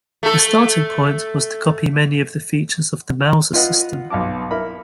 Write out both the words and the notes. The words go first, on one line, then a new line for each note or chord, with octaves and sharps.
The starting point was to copy many of the features of the Mauser system.
A3 A4
F4 B4 D#5 F#5
B1 F5 A5 D6
E4 A#4 B5